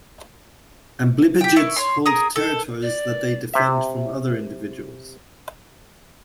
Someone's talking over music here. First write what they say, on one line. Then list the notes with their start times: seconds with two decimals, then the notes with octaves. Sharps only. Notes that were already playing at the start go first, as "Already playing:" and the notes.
Amblypygids hold territories that they defend from other individuals.
1.41 G4 G5
1.56 E4 C#6
1.76 C#5 C6
2.06 G#4 A#4 D#6
2.36 A4
2.82 D5
3.54 C3 E5